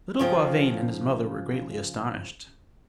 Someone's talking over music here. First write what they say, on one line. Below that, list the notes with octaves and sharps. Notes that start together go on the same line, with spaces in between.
Little Gauvain and his mother were greatly astonished.
C#3 F3 G5